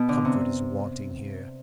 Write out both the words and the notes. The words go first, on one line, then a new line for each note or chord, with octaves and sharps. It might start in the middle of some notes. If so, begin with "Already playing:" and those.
Comfort is wanting here.
Already playing: B2
D3
C3